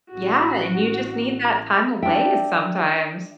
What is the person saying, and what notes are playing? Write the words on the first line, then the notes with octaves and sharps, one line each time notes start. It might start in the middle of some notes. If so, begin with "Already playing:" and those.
Yeah, and you just need that time away sometimes.
A1 F#4
D4 E5 G5